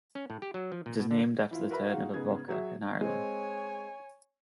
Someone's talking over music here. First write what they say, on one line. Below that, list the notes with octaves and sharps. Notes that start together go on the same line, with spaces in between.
It is named after the town of Avoca in Ireland.
C#4
A2
G4
F#3
F3
A#2
B2
D3
E3 E4 F4
F#4 A#4 B4 E5 B5
D#4 F4 F#4 G#4 F5 F#5
G#2 C#3 B3 G#4 G#6
F#3 F#4 G#4 E5
G#3 C4 C#5 G#5